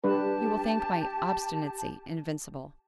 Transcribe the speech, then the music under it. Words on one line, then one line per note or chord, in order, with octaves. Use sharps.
You will think my obstinacy invincible.
G3 D4 G4 B4 A5